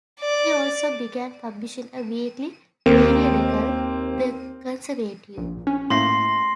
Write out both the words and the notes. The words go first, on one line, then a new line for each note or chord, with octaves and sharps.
He also began publishing a weekly periodical, "The Conservative".
D5
D#2 A#3 C4
A#1
C#4
A2 A3 A#3 C6 A#6 C7